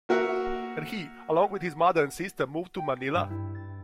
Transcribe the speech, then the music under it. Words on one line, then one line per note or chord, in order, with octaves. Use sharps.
He, along with his mother and sister, moved to Manila.
A#3 F#4 A#4 E5 F#5
G5
G2
E4
A6